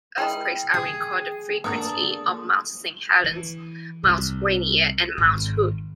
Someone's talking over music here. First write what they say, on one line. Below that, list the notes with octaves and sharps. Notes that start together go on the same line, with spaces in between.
Earthquakes are recorded frequently on Mount Saint Helens, Mount Rainier, and Mount Hood.
G#3 E4 D#5 G5
G#4
A#3 B3 D4 A4 A#4 D#6
E3
C2
G#1